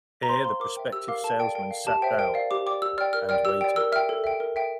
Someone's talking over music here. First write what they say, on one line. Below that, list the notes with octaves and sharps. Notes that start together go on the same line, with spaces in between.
Here the prospective salesmen sat down — and waited.
A#5
C5 C6
F5 C6
A#4 D6
E5 G5
G4 E6
A#4 F5 D6
A4 A5
D5 F5 G5
A#4 G5
F5
G4 A5
C5 E5 G5
A#4 G5
D5 F5
G4 D6
D5 G5 D6
G4 E6
D5 G5 F6
A#4 F6
D5 G5 F6
G4 E6
D5 G5
A#4 E6
E5 G5 F6
A4
E5 G5
A#4
E5 G5